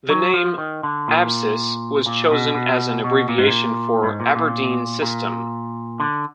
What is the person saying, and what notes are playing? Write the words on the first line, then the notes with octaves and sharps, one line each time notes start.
The name "Absys" was chosen as an abbreviation for "Aberdeen System".
F#3
F3
D#3
D3
A#2
A#2
B2
B2
B2
A#2
G#2
A#2
G#2
A#2
A#2
A#2
D3